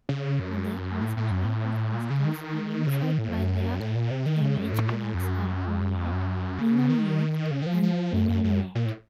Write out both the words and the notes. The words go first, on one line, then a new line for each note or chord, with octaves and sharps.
Other unsaturated esters identified by their cleavage products are oleate, linoleate and linolenate.
C#3
F#2
A2
A2
F#2
A2
A#2
C#3
D#3
C#3
D#3
A2
F2
F#2
A2
A#2
C3
D#3
C#3
F#2
A2
A#2
A2
F2
F#2
F2
F#2
F2
F#2
C#3
D#3
C#3
D#3
F3
F3
F#2
F#2
F#2
A#2
A2